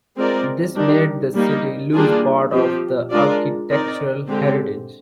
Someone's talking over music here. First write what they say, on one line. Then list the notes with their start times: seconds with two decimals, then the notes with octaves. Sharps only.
This made the city lose part of the architectural heritage.
0.16 G#3 C4 F4 A#4 D5
0.75 D#3 G3 D4
1.34 G3 A#3 D#4
1.92 G3 A#3 D4 F4 G#4
2.52 F3 C4 G4
3.10 G#3 D4 F4 A#4 D5
3.69 C4 D#4 A#4 D5
4.28 D3 G#3 C4 G4